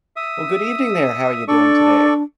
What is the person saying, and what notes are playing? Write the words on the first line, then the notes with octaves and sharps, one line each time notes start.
Well, good evening, there. How are you doing today?
E5 D#6
D4 A4 D5 C#6